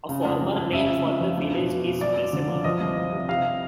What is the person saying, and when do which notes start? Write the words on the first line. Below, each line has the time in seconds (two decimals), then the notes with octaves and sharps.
A former name for the village is Bessemer.
0.09 C#3
0.25 F2
0.42 F2
0.56 F2
0.73 C#3 E5
0.90 F2
1.05 F2
1.20 F3
1.37 E2
1.53 B2
1.69 B2
1.85 B2
2.01 F#2 D5
2.16 F#2
2.33 D3
2.49 F3
2.64 F3 D#5
2.81 C2
2.97 F3
3.12 C3
3.29 C3 F5